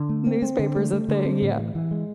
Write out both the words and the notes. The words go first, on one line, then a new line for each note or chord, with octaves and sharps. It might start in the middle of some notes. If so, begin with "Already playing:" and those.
Newspaper's a thing. Yeah.
Already playing: D3
A3
C4
C4
D3
A3
A3
D3
C4
A2
E3
E3
G#3